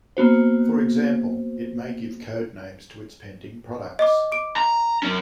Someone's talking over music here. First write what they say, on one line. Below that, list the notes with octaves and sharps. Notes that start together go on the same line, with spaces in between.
For example, it may give code names to it's pending products.
A#3 B3 F#4 C5
D#5 D6
D6 D7
A#5
F#3 C#4